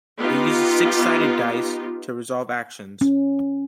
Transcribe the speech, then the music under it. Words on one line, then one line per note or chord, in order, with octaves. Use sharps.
It uses six-sided dice, to resolve actions.
B3 D#4 F4 G4
C#4